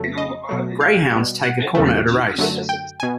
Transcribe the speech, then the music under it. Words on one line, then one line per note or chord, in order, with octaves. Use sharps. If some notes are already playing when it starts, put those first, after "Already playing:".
Greyhounds take a corner at a race.
Already playing: F2 C#3 F#3 A3
D#5
B2 F#3 A3
F5
B2 G3
F#5
E2 C#3 F#3 A3
F#2 D3 F#3 A3
G5
B2 G#5